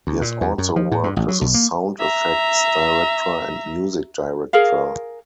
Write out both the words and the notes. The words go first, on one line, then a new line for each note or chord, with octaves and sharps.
He has also worked as a sound effects director and music director.
D2
A#2
E2
F#2
F3
A2
G2
A1
F#3
B1
A#3
E5 A#5
G#4 A#4 F5